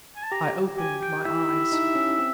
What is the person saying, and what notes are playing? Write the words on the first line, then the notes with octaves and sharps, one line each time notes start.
I opened my eyes.
G#5
A5
G4 A#5
G4 G#5
G5
E4 E5
E4
D#4
C#4
C4